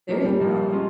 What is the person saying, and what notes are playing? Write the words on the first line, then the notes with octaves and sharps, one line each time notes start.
There you go.
F3 A#3 D#4
G3
F3 A#3 D#4
G#3 C#4 F4